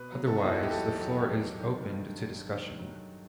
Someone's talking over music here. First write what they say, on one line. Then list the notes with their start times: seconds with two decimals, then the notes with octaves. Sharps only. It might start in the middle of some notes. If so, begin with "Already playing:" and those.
Otherwise, the floor is opened to discussion.
Already playing: B2 B4
0.12 F#3
0.27 A4
0.37 D#4
0.42 E2 E4
0.54 F#4
0.63 G4
0.71 E2 A4
1.00 F#3
1.31 F#3
1.60 D#3
1.90 G2
2.19 F#3
2.49 D#3
2.79 F#3